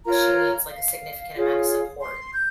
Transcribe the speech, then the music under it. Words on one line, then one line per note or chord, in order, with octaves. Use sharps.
uh, she needs, like, a significant amount of support,
F4 A#4 C#5 A#5
F5
F4 G#4 C#5
C6
G6